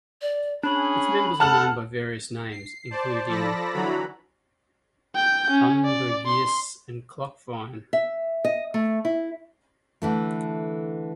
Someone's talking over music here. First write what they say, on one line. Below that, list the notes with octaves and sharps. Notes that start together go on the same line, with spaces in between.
Its members are known by various names, including thunbergias and clockvine.
D5
C#4 D4 G#4 B5
A4 F#5 A5 F6 F#7
C7
C5 D5 A5
F3 A4 D5 A5 B5 A#6
D3 E3 F#3 F#4 A#5 B5
G5 G6
C#4
D5
C6
E5
D#5
A3
E4
D3 E3 A3